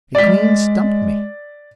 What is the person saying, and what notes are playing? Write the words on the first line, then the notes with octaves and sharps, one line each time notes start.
It clean stumped me.
G#3 D5 B6